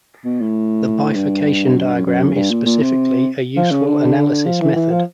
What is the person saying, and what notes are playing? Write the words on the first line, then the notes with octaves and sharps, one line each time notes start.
The bifurcation diagram is specifically a useful analysis method.
B2
A2
G2
F#2
G2
F#2
F#2
G2
A#2
A#2
C3
F3
C#3
D3
F3
E3
E3
F3